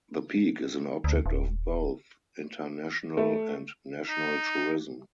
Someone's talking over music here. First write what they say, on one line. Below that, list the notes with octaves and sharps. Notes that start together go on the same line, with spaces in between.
The peak is an object of both international and national tourism.
D2
D#1
A3
D#4